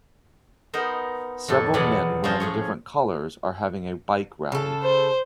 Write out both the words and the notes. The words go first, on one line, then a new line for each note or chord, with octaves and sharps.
Several men wearing different colors are having a bike rally.
B3 D#4 A#4 C5
F2 A2 A4
E2 B2 E3 F#3 D5 F#5
F3 C#4 F4 C5 D#5
A2 G#4 C#5
C#3 A4
C5